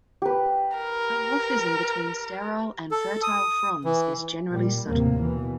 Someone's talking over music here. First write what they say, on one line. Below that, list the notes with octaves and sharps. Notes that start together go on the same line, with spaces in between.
Dimorphism between sterile and fertile fronds is generally subtle.
G4 B4
A#4
A4
D#6
E3
A#2 G3
D#2 A2 C3 A#3
B2 E3